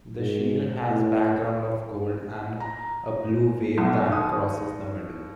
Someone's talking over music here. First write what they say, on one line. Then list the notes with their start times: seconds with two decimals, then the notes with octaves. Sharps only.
The shield has background of gold and a blue wave that crosses the middle.
0.17 G#2
0.87 A2
2.60 A#5
3.78 B1
4.09 D#2 D#6